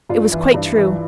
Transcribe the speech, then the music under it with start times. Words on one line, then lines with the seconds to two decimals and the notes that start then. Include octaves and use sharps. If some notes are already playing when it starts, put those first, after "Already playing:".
It was quite true.
0.09 G2 F4
0.32 E3
0.54 G2
0.76 E3